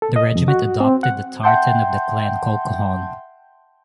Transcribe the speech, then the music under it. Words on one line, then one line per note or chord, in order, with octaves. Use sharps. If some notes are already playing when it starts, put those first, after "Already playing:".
The regiment adopted the tartan of the Clan Colquhoun.
A4
D#5
F2
F#4
C4
F#5
E5 F#5 G5 A5 C6 G6